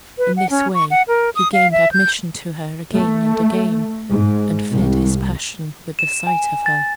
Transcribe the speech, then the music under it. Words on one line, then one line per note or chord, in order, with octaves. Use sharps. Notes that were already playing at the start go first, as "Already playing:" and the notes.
In this way he gained admission to her again and again, and fed his passion with the sight of her.
B4
F#5
C#4
C#6
F#5
A#4
D#6
F5
E5
G6
A3
G#2
C2
E7
G#5
A6